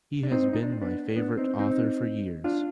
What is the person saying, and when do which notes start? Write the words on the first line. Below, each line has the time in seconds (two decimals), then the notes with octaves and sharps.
He has been my favourite author for years!
0.23 D4
0.31 C4 D#4
0.53 D#4
0.63 D4
0.72 C4
0.82 B3 D4
1.16 B3 D4
1.37 C4 D#4
1.59 C4 D#4
2.44 D4 F4